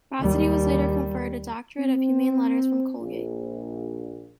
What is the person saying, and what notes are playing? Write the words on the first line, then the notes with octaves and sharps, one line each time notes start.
Bossidy was later conferred a doctorate of Humane Letters from Colgate.
D#2 G3
C4
A#1